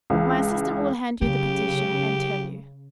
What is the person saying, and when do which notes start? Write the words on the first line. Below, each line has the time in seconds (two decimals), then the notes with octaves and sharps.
"My assistant will hand you the petition and tell you."
0.10 C#2 E3
1.22 C#3 F#3 G4